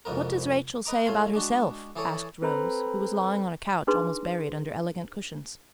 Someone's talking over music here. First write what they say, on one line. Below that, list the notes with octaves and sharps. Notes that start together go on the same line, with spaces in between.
"What does Rachel say about herself?" asked Rose, who was lying on a couch almost buried under elegant cushions.
C2 F2 G#2 B3 A#4
B4 D#5 A#5 D6
A2 A3 F5 G#5 C6
G#3 D4 F#4
E3 G#4 A4 C#5 D5 G#5
C4 A4 B4 C5 A#5 B5
D4 D#4 G#4 B4 C6